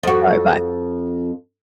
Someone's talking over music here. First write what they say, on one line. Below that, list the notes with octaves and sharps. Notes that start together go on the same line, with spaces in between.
Alright, bye.
F2 F#4